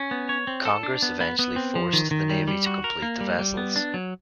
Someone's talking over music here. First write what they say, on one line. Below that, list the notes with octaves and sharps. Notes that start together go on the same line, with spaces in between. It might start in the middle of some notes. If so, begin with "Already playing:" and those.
Congress eventually forced the Navy to complete the vessels.
Already playing: C#4
B3
C#5
C4
A4
D4
B3
B3
B3
C4
F3
D#3
D#3
G3
G3
F#4
A#4
A#3
G3
G3
B3
D4
F#3